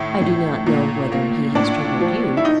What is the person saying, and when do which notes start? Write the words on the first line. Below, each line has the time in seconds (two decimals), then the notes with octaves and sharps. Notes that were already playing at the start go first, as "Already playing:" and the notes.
I do not know whether he has troubled you.
Already playing: A2 D#3 E4
0.22 A2
0.66 A#2
1.12 A#3
1.55 A2 D4
2.01 F3
2.37 E4
2.45 D#4